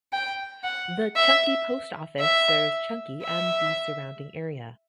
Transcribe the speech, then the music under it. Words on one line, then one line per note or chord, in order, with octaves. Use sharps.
The Chunky post office serves Chunky and the surrounding area.
G5
F#5
E5
E5
E5